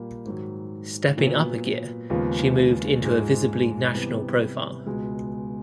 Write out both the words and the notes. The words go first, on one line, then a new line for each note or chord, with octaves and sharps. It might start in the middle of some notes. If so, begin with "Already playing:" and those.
Stepping up a gear she moved into a visibly national profile.
Already playing: A#2 G3 A#3
G#2 D#3 F#3
A#2 F#3 B3
D#2 C#3 F3 G#3 B3
G#2 F3 G#3
C3 E3 G3 B3
C#2 B2 G#3